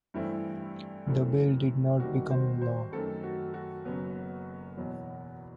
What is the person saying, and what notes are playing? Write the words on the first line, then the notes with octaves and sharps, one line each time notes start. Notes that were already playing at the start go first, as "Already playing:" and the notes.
The bill did not become law.
G2 E3 A3 C4 E4
F#2 E3 A3 C4
D#2 D#3 G3 C4 F#4
C5
C5
F#2 D#3 A3 C4 A4
F#4
F#4
F#1 F#2 F#3 B3
E2 B2 F#3